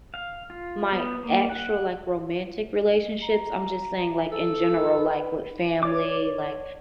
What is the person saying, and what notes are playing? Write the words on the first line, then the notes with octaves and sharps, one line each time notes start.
my actual, like, romantic relationships, I'm just saying, like, in general, like, with family, like
F5
F4
B3
A#3
F#5
A#5
A4
B4
C#5 D5 D6